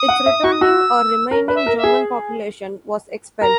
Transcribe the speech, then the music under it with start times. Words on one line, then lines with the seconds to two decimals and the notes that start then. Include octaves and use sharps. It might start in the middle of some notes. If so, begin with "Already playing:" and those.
Its returning or remaining German population was expelled.
Already playing: D#6
0.08 F#5
0.26 E5
0.43 F#4 C#6
0.52 D#6
0.61 F#4 E6
1.31 A#4
1.48 B4
1.54 E5
1.66 A#4
1.77 E5
1.84 G#4
3.41 A#4 A#5